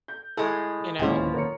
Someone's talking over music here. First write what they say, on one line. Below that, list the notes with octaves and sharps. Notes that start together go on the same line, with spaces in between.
You know?
G6
A2 G#3 A4
D1 D#2 B2 E3 F3 G#3 C#4 G#5
A#4 C#5 C#7